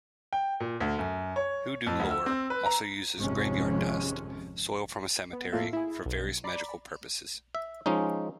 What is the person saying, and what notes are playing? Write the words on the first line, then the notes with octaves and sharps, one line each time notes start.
Hoodoo lore also uses graveyard dust, soil from a cemetery, for various magical purposes.
G5
A#2
D2
F#2
C#5
F2
D2
E6
C4
B4
A#5
G#1 F2 C3 F3 G#3 C#4
B3
A2 A#3 F4 A4 E5
E4 G#4
B1
D5 A#5 B5
E5
F3 G#3 C#4 D#4